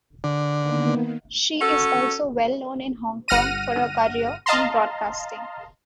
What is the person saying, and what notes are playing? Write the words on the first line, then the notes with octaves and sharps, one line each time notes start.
She is also well known in Hong Kong for her career in broadcasting.
D3
D#3 A#3 B3
C#4 F#4 A4
G1 F#5 F6 A#6 D#7
D#5 F5 A5 A#5 C6